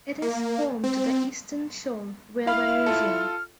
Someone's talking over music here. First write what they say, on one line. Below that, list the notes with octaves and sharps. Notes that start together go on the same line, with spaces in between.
It is home to the Eastern Shore Railway Museum.
A#3
C4
E4 F5 B5 F6
F4 A4